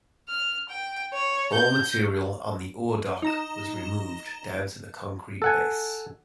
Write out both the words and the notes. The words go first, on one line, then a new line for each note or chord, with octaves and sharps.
All material on the ore dock was removed down to the concrete base.
F6
G5
C#5
G6
D#4 A#5 E7
A4 F#5 G#5